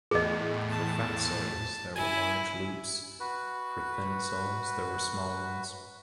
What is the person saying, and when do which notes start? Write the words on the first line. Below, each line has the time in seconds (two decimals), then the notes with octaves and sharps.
For fat souls there were large loops, for thin souls there were small ones.
0.11 E2 A2 G#4 D#5
0.71 A5
1.96 E4 G#5
3.20 F#4 B4